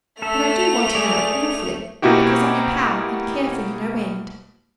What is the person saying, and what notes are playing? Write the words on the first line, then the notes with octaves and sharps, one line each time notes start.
'But I do want to know, awfully, because I'm your pal, and care for you no end.
A3 A4 E5 F7
G#4 D5
B2 A#3 D#4 E4 F#4 G4